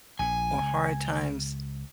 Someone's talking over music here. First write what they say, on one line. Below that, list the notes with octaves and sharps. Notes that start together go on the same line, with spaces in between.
or hard times
A#1 A#2 G#5
C#2